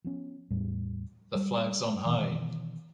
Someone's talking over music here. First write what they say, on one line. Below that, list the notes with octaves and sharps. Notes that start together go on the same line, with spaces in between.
The flags on high!
F3 B3 C#4
E2 A2 G3
G3
B2 D#3 E3